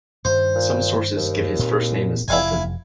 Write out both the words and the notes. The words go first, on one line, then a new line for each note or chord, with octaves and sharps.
Some sources give his first name as Alton.
G2 D#3 C5
A#2
D#2
A#2 C4
F1 E4 F5 G#5